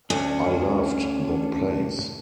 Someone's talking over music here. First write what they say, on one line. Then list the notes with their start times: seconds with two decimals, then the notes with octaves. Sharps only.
I loved that place.
0.10 D2 C#4 D4